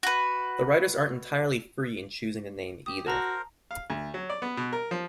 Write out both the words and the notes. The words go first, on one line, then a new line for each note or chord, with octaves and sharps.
The writers aren't entirely free in choosing the name either.
F#4 B4
G4 D#6
F#4 A#4 C5 A5 A#5 A#6
F5
D2
F#3
D5
B3
B2
A#4
F3